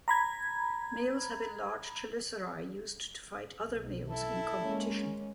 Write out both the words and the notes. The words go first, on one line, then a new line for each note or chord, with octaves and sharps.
Males have enlarged chelicerae used to fight other males in competition.
A#5 B5 G#6
B1
E4 A4
G#3 A#3 C#4